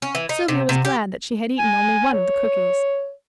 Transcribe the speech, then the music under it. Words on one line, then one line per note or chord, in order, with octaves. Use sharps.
Sylvia was glad that she had eaten only one of the cookies.
C#4
E3
D#4
C3
C3
G4
G#5
C#5